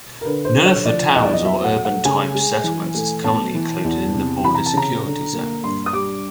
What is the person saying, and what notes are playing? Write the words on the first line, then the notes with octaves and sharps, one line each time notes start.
None of towns or urban-type settlements is currently included in the border security zone.
A#4
D3 B4
C5
D3
C#5
F3 D5
E2 D#5
D5
D#5
F#3 E5
F#5
A3
F#5
C#3 G#5
G#3
E3
A3
B3 A5
E3
E2
C3
E3 B5
A#5
A5
C#3 A#5
D3
A#3
G2 C6
D#6
G3 D6